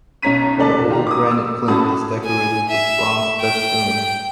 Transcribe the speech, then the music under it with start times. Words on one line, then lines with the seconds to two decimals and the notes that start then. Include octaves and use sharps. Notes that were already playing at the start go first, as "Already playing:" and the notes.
The oval granite plinth is decorated with bronze festoons.
0.22 B1 C#4 C#5 A#5 B6 D#7
0.57 F1 D#2 C#4 A4 D5 A5
0.89 D#3 F4 G4 A#5
1.07 D6 D#6
1.31 E6
1.68 A2 C#4 F#4 A5 B5 D#6
2.25 G#5
2.69 E5
3.41 G5